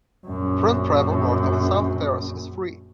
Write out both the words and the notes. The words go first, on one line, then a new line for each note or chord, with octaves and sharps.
Tram travel north of South Terrace is free.
A#1 F#2